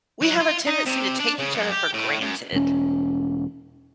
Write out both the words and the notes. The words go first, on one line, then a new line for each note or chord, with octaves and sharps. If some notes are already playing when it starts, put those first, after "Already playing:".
we have a tendency to take each other for granted,
F#3
F4
D#4
C3
D4
C#3
F#2
G4
A2
F#2
E1 C#4